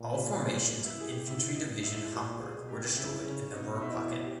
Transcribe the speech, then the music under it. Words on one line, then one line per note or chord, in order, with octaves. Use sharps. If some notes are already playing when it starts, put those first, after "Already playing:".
All formations of Infantry Division Hamburg were destroyed in the Ruhr Pocket.
Already playing: A#2
G3
G#3
A#3
E4
G#4
G4
G#2 E4
G2 D#4
G#2 E4
A#2 G4
G#4
B2
G4
C#3 E4
C#3 C#4
B2 D#4
D#4
E4
G4